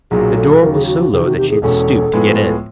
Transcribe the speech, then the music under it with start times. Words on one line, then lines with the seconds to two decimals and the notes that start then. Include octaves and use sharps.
The door was so low that she had to stoop to get in.
0.11 B1 A#2 F#3 G#4
0.36 A4
0.61 D#2 C#3 F#3 A#4
0.74 G#4
0.86 F#4
1.00 F#4
1.12 E2 C3 D#3 G#4
1.24 F#4
1.37 G4
1.50 G#4
1.62 E1 E2 B2 G#3 C#4 A4
2.13 A2 F3 G#3 B3